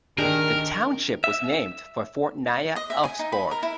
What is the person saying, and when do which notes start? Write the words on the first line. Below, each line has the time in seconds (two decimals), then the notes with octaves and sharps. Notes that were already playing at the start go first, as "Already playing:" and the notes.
The township was named for Fort Nya Elfsborg.
0.18 D#3 D4 G4 G#4 A#4
1.24 E5
2.76 D#5
2.90 E5
3.04 G#5
3.19 D#4
3.32 B5
3.51 A#4
3.63 E4